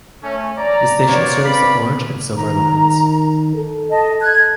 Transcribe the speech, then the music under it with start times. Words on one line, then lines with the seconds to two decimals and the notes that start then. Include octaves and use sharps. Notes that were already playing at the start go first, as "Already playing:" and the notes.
The station serves the Orange and Silver Lines.
0.24 A3 C#4
0.58 D5 A#5
1.07 G2 B2 A#3 C4 C#5 D5
1.43 C4 B4 D5 F5 B5
2.36 D#3 A#5
3.55 A4
3.90 D#5 A5
4.21 F#6 G#6